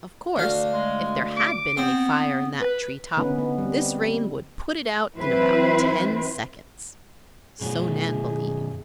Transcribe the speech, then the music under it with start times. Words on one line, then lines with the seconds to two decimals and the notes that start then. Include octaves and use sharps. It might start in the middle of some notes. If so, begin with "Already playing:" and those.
Of course, if there had been any fire in that tree-top, this rain would put it out in about ten seconds. So Nan believed.
0.36 D2 F5
0.73 G#3
1.37 D6
1.77 B3 C4
2.61 B4
3.17 D3 B3 C#4 D#4 B4
3.38 B3
3.58 G3 C4
5.15 E3 F#3 C4 E4 B4 C5
7.61 F#2 B2 G#4